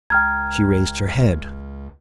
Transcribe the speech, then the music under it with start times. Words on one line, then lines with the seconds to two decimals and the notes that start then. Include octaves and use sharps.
She raised her head.
0.10 C#2 G5 A#5 F6 G#6